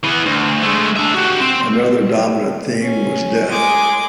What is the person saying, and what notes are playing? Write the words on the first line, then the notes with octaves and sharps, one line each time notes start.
Another dominant theme was "death".
E3 B3
D2
G#3 A3
D4 E5
F#4 G4
C4
C#4
G#3 D6